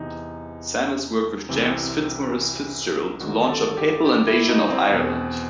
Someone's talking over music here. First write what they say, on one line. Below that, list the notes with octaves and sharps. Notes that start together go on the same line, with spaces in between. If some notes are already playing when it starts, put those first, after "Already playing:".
Sanders worked with James Fitzmaurice Fitzgerald to launch a papal invasion of Ireland.
Already playing: E2 C3 E3 D#4
C2 C3 E3 C4
G1 G2 D#3 F#4
A4
G4
G4
E4
D#4
C4
E2 B2